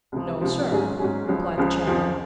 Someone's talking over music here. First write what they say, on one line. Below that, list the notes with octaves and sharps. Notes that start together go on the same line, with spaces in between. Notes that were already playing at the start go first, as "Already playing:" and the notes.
"No, sir," replied the chattel.
C#2 C3 F3
C#2 C3 F3
G#2 F#3 C#4 G#4
G#2 F#3 C#4 G#4
C#2 C#3 F3
C#2 C#3 F3
F2 C#3 F3